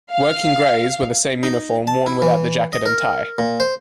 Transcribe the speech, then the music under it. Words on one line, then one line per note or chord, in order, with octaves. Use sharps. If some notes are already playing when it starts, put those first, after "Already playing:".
"Working grays" were the same uniform worn without the jacket and tie.
F5
D#4
A5
E4
E3
D#5
A#4
A#2
C5